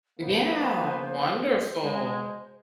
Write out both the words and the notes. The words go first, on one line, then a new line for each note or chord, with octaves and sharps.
Yeah, wonderful.
F3 A#3 B3 C5
G#3